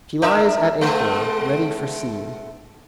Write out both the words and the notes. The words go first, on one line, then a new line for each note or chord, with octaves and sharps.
She lies at anchor, ready for sea.
D4 A#4 E5
G#3 A3 B3